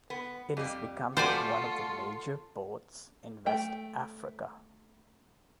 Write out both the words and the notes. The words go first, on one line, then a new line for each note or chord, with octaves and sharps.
It is becoming one of the major ports in West Africa.
B3
F2 G3
G3 A3 F4 F#4 A4 C5 D5 G#5
A3 G5